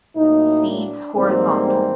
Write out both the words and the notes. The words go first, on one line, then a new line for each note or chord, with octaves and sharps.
Seeds horizontal.
A2 F#3 A#3 D#4
D4
G#2 E3 G3 A#3 C4
C4